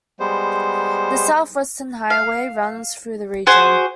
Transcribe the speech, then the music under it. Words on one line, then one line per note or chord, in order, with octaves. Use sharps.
The South Western Highway runs through the region.
G3 G#3 B3 C5
F5
F#4 G#4 C5 G#5